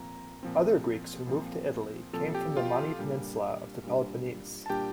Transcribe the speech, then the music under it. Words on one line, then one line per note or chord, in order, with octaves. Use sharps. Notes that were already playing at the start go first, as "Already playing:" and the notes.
Other Greeks who moved to Italy came from the Mani Peninsula of the Peloponnese.
Already playing: A#2 F3 C4 A#5
A#2 F3 C4
A#2 F3 C4
A#2 F3 C4 A4 A5
G4 G5
F4 F5
A#2 G3 D4
A#2 G3 D4
A5
A#2 G3 D4 G4 G5